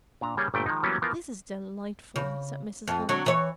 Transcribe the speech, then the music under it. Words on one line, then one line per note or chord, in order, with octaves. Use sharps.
"This is delightful," said Mrs. Hunt.
A#2 D4 A#5
C#3 G3 A#3 G#4 C#5 G5
G1 A#2 G3 A3 G5
D#3 F3 G#3 D#4
E3 F#3 G3 A#3 B3 C#4
E3 F3 B3 F4 A#4 F5
C#3
F2
D3 F#3
E3 C#5